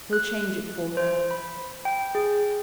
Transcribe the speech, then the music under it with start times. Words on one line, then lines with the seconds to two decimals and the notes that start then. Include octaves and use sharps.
He'll change it for her.'
0.13 F#6
0.97 C5
1.31 B5
1.85 G5
2.15 G#4